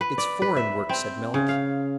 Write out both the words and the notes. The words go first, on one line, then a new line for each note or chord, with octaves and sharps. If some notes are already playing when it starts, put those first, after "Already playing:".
"It's foreign work," said Melick.
B4
D5
B4
E5
C4
C#3
F5